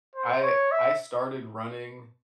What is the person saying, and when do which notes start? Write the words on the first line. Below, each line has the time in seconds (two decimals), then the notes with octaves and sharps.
I I started running,
0.15 C5
0.43 C#5
0.72 E5